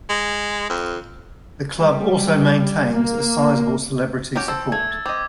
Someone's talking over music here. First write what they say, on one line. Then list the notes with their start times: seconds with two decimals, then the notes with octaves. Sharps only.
The club also maintains a sizeable celebrity support.
0.10 G#3
0.70 F2
1.78 G3
2.92 A#3
4.36 C#4 F#4 G4
4.48 C4 A5 E6
4.72 A3 G#6
4.91 A6
5.06 C4 D#5 D6